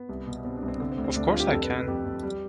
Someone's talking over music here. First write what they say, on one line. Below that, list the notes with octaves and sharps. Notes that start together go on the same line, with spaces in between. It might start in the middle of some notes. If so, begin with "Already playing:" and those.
Of course I can!
Already playing: B3
C2
B2
B2 C4
D4
C2
C4
D3 C4
C4
D2
C4
D2 D4
F4
G3
G4
F2 A4
B4
F2
B4
F2 G4
F2
G3